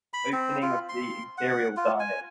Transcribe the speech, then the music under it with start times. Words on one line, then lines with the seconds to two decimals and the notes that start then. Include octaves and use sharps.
Opening of the Imperial diet.
0.14 B5
0.33 C4
0.62 F4
0.89 C6
1.38 F#5
1.77 F4
2.00 G#5